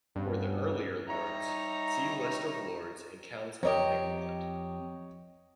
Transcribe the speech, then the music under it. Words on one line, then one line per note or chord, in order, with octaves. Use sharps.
For the earlier lords, see List of Lords and Counts of Egmont.
D2 G2 B3 C#4
G3 D#4 C#5 E5 A#5
F2 G4 A#4 C#5 D#5 A#5